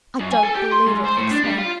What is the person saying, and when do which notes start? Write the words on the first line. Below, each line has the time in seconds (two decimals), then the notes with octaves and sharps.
'I don't believe it,' he exclaimed.
0.20 F#2
0.32 G#5
0.43 A4
0.55 G4
0.71 C6
0.86 G#2
1.05 C5
1.17 A2
1.31 D4
1.44 G3
1.58 F4